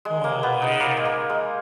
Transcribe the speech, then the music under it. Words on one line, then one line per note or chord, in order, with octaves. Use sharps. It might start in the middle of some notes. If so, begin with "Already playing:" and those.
Aw, yeah.
G#3
A#3
B3
D#4
A#3
G#3
A#3
G#3